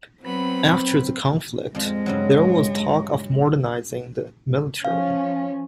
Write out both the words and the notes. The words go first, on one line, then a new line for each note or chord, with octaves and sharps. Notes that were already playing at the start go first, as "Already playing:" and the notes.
After the conflict, there was talk of modernising the military.
F#3 B3 C4 B5
F2 F3 G#3
G2 C#3 F#3
F3 C#4 F5